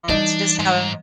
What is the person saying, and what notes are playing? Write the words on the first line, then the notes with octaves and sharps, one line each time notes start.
it's just how
E3 G3 D4 D#4 D5 D#5
G#2